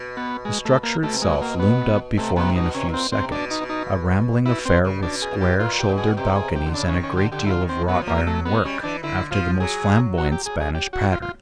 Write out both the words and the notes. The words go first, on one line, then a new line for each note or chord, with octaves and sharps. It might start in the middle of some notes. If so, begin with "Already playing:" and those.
The structure itself loomed up before me in a few seconds, a rambling affair with square-shouldered balconies and a great deal of wrought-iron work, after the most flamboyant Spanish pattern.
Already playing: B2
B3
G#3
A3
A#3
B2 A3
C3
B2 G#3
A#3
B3
C3 A3
C3 B3
B2 D#4
C3 C#4
A#2 C4
C3 C4
B2 D4
D#4
B2
D#4
B2 E4
C4
C#3
B2 D4
G#4
B2
G4
A#2 F4
G4
B2
G#4
C3 G4
G#4
G4
D3
C#3 D4
C#4
D#3
C#4
D3
G4
D3 G4
E4
F4
D#3
C4
F#3 B3
F3
A#3
F#3
A3
G#3 B3
G3 C#4
E3 D4
D3 E4
F3 F4
F#3 G#4
F#4
G4
G#4
G#4
G4
F#4
F4
F4